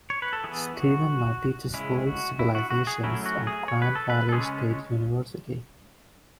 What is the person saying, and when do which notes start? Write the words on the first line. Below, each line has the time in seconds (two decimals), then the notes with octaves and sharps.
Steven now teaches World Civilizations at Grand Valley State University.
0.10 C#5
0.22 B4
0.33 A4
0.44 E3 B3 G#4
0.77 F#4
1.74 C#3 G#3 C#4 E4
2.07 F#4
2.39 E4
2.55 F#4
2.71 F#4
2.87 G#4
3.03 F#3 A3 C#4 E4
3.26 F#4
3.47 G#4
3.68 C#5
3.82 B4
3.95 A4
4.10 B4
4.29 A4
4.32 C#3 G#3 C#4 G#4